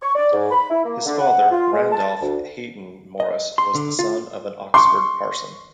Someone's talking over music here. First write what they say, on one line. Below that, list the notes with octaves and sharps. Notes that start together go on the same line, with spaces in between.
His father Randolph Hayton Morris was the son of an Oxford parson.
C#6
D5
G#2
B5
E4
A#3
D3
F#5
F4
G#3
A5
D2
D#5
C6
D3
F4
C6 C#6